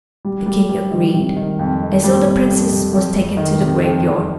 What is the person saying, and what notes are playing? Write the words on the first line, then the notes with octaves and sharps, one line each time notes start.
The king agreed, and so the princess was taken to the graveyard.
G3
G3
G3
D#3
C3
D#3
F2
D#3
G3
C3
F2
C3
F2
F2
D#3
C3
F2
F2